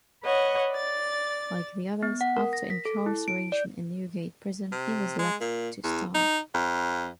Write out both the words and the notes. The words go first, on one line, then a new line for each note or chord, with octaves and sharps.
Like the others, after incarceration in Newgate Prison he was left to starve.
B4 C#5 D#5 F#5
D5 A6
B3
F#5
A#4
A#6
B6
A4
E4
D7
D5
C3
G#3
A#2
E2
D#4
F2